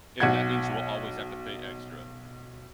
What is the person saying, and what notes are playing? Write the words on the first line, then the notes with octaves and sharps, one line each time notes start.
and that means you will always have to pay extra.
B1 F#5 G#6